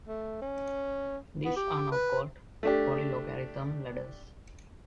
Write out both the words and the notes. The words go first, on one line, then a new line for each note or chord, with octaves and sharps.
These are now called polylogarithm ladders.
A3
C#4
B3
G4
B4
A3 D4 G4